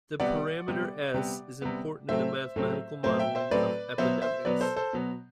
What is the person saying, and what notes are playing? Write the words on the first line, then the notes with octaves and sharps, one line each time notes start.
The parameter "S" is important in the mathematical modelling of epidemics.
C3 G3 B3 D5 F#5
C3 G3 B3
C3 G3 B3
C3 G3 B3
A2 F#3 A3 C4 C5 E5
A2 F#3 A3 C4
A2 F#3 A3 C4 C5 E5
E5 G5
C5 E5
A2 F#3 A3 C4 B4 D5
B2 F#3 B3 C5 E5
C5 E5
B2 F#3 B3 B4 D5
A4 C5
A4 C5
B2 F#3 B3